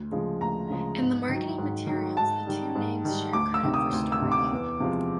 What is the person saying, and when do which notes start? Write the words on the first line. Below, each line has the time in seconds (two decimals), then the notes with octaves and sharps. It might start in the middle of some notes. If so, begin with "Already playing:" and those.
In the marketing materials the two names share credit for story.
Already playing: D2
0.12 C#3 F3 G#3
0.41 D2 A#5
0.70 C#3 F3 G#3
1.00 G#2
1.29 D#3 F#3
1.58 G#2
1.87 D#3 F#3
2.17 G#2 A5
2.47 D#3 G3
2.75 G#2
3.05 D#3 G3
3.33 D2 D6
3.54 E6
3.63 C3 D#3
3.74 D#6
3.92 D2
4.12 E6
4.22 C3 D#3
4.32 D6
4.52 E2
4.80 C3 F3 G#3